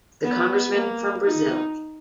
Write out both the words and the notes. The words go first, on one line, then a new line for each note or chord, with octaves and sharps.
The Congressmen from Brazil.
B3
A#3
D#4